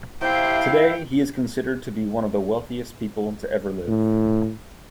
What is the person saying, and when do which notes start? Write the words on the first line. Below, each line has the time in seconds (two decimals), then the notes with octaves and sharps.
Today, he is considered to be one of the wealthiest people to ever live.
0.21 C3 E4 F5 G5
3.88 A2